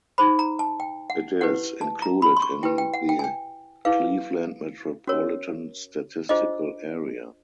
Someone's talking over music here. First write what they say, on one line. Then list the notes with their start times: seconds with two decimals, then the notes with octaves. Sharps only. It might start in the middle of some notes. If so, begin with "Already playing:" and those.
It is included in the Cleveland Metropolitan Statistical Area.
0.18 D#4 G#4 C5 B5
0.39 A#5
0.59 A5
0.80 G5
1.10 F#5
1.41 E4 G4 B4 F#5
1.81 A5
2.02 A#5
2.22 B5
2.37 C6
2.42 C#6
2.63 E4 G4 B4 G5
2.78 G5
2.94 F#5
3.09 G5
3.19 G#5
3.24 G5
3.85 E4 G#4 B4 F5
5.07 C#4 F#4 A#4 C#5
6.29 D4 F4 G#4 C5 D#5